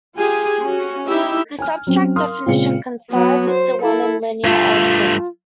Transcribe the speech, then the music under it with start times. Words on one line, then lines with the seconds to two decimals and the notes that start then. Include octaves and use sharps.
This abstract definition coincides with the one in linear algebra.
0.17 F4 G4 G#4 G#5
0.62 C#4 F#4
1.07 D#4 E4 G4 E5
1.59 G#5 F6
1.87 F#3 C4 C#4
2.16 A#4 F5 C6 D#6 F6
2.46 A#2 C#3 G#3 C4 C#7
3.10 F#3 B3
3.50 C5
3.82 E4 A4
4.44 G2 A3 F4